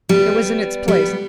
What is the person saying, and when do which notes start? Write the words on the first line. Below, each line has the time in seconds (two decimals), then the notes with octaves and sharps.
It was in its place.
0.09 G3 B3
0.88 G3 B3